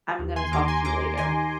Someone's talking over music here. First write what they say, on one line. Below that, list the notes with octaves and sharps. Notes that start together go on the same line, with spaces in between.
"I'm gonna talk to you later,"
D#2
G#5 C6
D#2 A#5 D6
G#5 C6
D#2 A#5 D6
D#3 G#5 C6